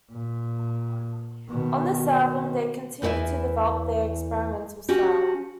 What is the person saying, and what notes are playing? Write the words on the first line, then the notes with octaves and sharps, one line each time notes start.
On this album, they continued to develop their experimental style.
A#2
B2 D#3
E2 E3 A#4 C#5 E5 G#5
C#4 F#4 G4